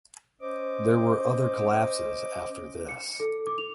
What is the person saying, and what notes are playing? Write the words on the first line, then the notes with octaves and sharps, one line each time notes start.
There were other collapses after this.
C#4 C5 D#5 D6
C#7
A4
D6
F7